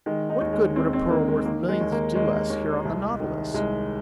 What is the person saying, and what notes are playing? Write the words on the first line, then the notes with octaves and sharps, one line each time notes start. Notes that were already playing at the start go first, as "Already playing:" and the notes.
"What good would a pearl worth millions do us here on the Nautilus?"
D#3 G#3
D#4
D#2
G#3
D#2 C4
C4
D#3 A#3
G#3
D#3 A#3
G#3
D#2
A#3
D#2 G#3
D#2
C2
D#3
C2 G#3